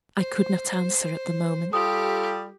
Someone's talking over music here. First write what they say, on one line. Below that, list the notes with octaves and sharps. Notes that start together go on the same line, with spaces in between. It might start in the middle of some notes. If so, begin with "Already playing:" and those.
I could not answer at the moment.
C5
G3 F4 G4 A4 D#6